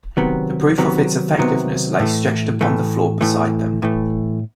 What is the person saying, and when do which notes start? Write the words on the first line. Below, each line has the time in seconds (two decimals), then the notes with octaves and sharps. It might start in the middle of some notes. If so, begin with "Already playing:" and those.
The proof of its effectiveness lay stretched upon the floor beside them.
0.17 C3 D#3 F#3 B3
0.78 C3 D#3 F#3 B3
1.38 C3 D#3 F#3 B3
1.99 A2 E3 A3
2.61 A2 E3 A3
3.21 A2 E3 A3
3.82 A2 E3 A3